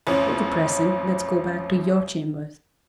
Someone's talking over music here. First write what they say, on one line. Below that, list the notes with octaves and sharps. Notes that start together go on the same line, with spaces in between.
For the present let's go back to your chambers.
A1 F2 C#4